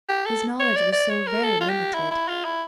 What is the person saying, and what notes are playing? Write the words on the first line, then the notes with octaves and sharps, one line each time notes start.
His knowledge was so very limited.
G4
A4
C#5
D5
D5
C#5
A#4
A4
F4
G4
E4
E4
F4
E4